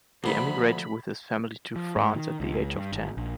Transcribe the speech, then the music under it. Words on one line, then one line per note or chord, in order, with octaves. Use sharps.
He emigrated with his family to France at the age of ten.
D2 C3 F3 A3 A#3 B5
F3
G#2
D#3
C#2
G2
G#1
A#1